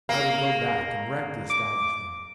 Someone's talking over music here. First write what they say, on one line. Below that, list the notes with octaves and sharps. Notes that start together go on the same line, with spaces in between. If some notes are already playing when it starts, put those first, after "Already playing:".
I would go back and wreck the establishment.
A#3 F5
D6